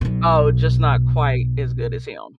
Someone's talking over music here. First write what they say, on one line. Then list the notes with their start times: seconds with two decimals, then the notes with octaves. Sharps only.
Oh, just not quite as good as him.
0.01 B1 B2